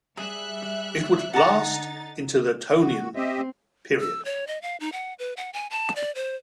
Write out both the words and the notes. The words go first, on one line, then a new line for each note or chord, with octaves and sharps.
It would last into the Tonian period.
G3 G#4 E5 F#6
D3 D#4 F#5 A5 A#5 A6
F#4
C4 G4 D#5 E5
E6
C#5
D#5
F5
D#4
F#5
B4
F#5
G#5
A5
D5
C5